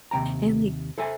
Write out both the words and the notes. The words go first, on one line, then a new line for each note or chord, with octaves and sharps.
and li
D#2 C3 C4 G5 A#5
A4 C5 E5 G#5